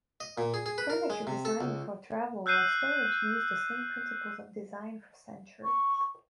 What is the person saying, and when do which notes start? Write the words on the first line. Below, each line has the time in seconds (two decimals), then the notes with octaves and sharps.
Furniture designed for travel or storage used the same principles of design for centuries.
0.20 D#5
0.38 A#2
0.54 G#4
0.66 G#4
0.78 B4
0.90 A#4
1.10 G#3
1.27 C3
1.45 A4
1.61 C#2
2.46 E6 F#6 G6 C7 D#7
5.64 C#6